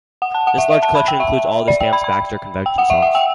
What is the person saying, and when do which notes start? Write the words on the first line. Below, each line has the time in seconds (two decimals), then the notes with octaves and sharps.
This large collection includes all of the Stamps-Baxter convention songs.
0.22 F#5
0.34 A5
0.47 F#5
0.58 E5
0.70 E5
0.83 A5
0.95 B5
1.08 G5
1.20 E5
1.68 D5
1.81 G5
1.93 B5
2.04 B5
2.66 G5
2.78 F#5
2.90 E5
3.02 F#5
3.15 G5